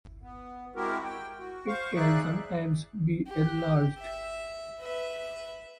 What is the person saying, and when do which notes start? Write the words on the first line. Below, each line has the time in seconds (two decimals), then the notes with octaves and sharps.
It can sometimes be enlarged.
0.22 B3
0.76 G#3 C4 E4 F#4 G4 A#4
1.04 G5
1.39 F#4
1.67 C5 F5 C#6
1.96 D#4 G#4 D5 E5 F#6
3.27 G4
3.98 E5
4.79 B4 E5